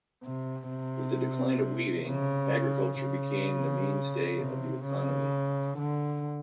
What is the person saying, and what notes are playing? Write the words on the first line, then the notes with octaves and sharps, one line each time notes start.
With the decline of weaving, agriculture became the mainstay of the economy.
C3
C3
C#3
C#3
C3
C#3
D3